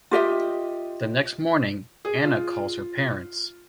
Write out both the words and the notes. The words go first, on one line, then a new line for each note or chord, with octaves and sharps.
The next morning, Anna calls her parents.
F4 G4 D#5 E5
G#4
F4